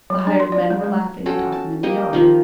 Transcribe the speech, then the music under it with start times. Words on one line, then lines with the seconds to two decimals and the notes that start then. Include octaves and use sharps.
The hired men were laughing and talking in the yard.
0.10 F#3
0.27 D4
0.40 C6
0.52 D5
0.70 G#3
0.84 G#3
1.26 C#4 F#4 A4 G5
1.52 A5
1.83 A#3 G4 D#5
2.13 D#3 F3 D#4